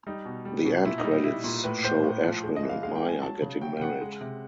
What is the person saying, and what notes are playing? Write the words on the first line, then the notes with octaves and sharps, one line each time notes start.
The end credits show Ashwin and Maya getting married.
G3 D#4
B2
G3
B2
A#2 E4
D#4
G3
D#4
G3 E4
A#2
A2 B4
A2 C5
A2
F3
G#3
D#5
E3
F5
G#3 F5
G5
G#3
G#5
F#3 A5
C#3
F#3 G5
G5
C#3 F#5
G#3
C3